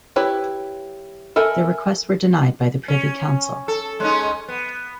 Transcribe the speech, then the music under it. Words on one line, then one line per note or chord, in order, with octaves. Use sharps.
Their requests were denied by the Privy Council.
E4 G4 B4 C#5
A4 A#4 E5 G#5 B5
C#4
A4
G#3 C#4 D#4
B3